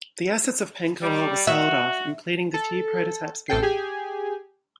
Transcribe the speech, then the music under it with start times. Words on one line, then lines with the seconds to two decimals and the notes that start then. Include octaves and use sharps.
The assets of Pancor were sold off, including the few prototypes built.
1.02 G3
1.47 F#4 E5
2.54 A4
3.48 A1 A4 G5 C7
3.62 G4 G#4 G#5